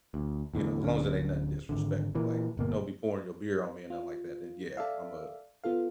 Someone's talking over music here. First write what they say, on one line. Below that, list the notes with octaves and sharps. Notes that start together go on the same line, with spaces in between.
you know, as long as it ain't nothing disrespectful, like, don't be pouring your beer on me or nothing like that, then yeah, Imma
D2
E2 A2 D3
D1 D3 C#4
G#1 C#2 D3
A#2 E3 A#3
G1 B2 A#3
F4
A4 D5 E5 F5
B3 F4 A4 F5